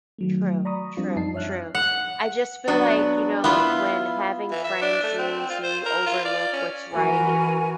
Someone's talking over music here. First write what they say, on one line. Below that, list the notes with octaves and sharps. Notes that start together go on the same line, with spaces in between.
True, true, true. I just feel like, you know, when having friends means you overlook what's right,
D#3 F#3 A3
D5 A#5 B5 C#6 D#6
F3 G3 C4 D4 F4
F#2 D#4 A5 C7
C#5 E5 F6 F#6
F#5
F#3 B3 D4
B3 E4 F4
E3
E5
D4
A3
C4
F4
C5
A#4
F4
D5
C#4
E3 F#4 A#4 G#5